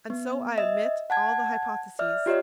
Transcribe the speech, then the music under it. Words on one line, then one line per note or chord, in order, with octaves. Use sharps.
And so I omit all the hypotheses.
B3
D#5 E5
F#5 A5 G#6
D5 E5 F6
F4 G4 C#5 D#5